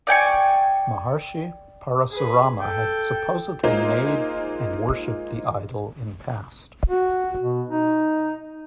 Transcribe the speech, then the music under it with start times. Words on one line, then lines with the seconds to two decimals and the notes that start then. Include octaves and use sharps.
Maharshi Parasurama had supposedly made and worshipped the idol in past.
0.07 D5 G5 G#5 C#6
2.11 G#4 B4
2.61 A4 G5
3.63 G#3 A#3 D#4 F4 C5
6.88 F#4
7.42 B2
7.69 D#4